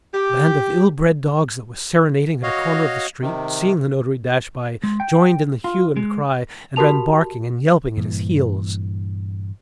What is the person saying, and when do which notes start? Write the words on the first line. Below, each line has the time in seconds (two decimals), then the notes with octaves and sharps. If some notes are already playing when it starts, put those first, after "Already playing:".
A band of ill-bred dogs, that were serenading at a corner of the street, seeing the notary dash by, joined in the hue and cry, and ran barking and yelping at his heels.
0.14 G4
2.43 F#4 C#5 D#5 F5
3.22 C3 D#3
4.84 G#3
5.00 G5
5.64 F4
5.97 G#3
6.76 F#4 G4 A#4 A5 F7
7.97 G2 A#2 E3